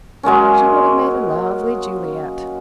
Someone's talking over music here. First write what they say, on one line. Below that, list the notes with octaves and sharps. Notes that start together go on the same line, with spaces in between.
She would have made a lovely Juliet.
F#3 G#3 A#3 C#4